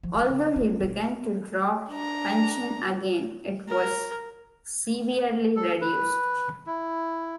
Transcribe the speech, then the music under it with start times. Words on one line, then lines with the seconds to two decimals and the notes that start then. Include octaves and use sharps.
Although he began to draw pension again, it was severely reduced.
0.03 F3
0.16 F#3 D4
0.29 C#3
0.56 C#4 F4
0.80 B1 B3
1.90 D4 A#5
3.68 A#4
5.56 A4
5.81 B4
6.66 E4